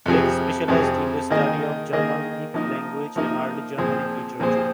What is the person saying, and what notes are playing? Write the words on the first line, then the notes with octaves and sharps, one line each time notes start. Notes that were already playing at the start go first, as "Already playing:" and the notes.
Beck specialized in the study of Germanic languages and early Germanic literature.
F2 C3 F3 C4 G#4
F2 C3 F3 C4 G#4
D#3 A#3 G#4 D#5
D#3 A#3 G#4 D#5
F3 A#3 D#4 A#4 D#5
F3 A#3 D#4 A#4 D#5
A#2 F3 C4 G#4 C5
A#2 F3 C4 G#4 C5